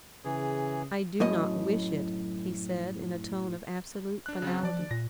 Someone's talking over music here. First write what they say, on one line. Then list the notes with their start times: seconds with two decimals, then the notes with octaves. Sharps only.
"I do not wish it," he said, in a tone of absolute finality.
0.25 C#3 E3 G#4
1.20 F#2 A2 D#5
4.26 D4 F#6
4.42 C#3 F#3 C4
4.63 F3 D5 A5
4.91 A#2 A#6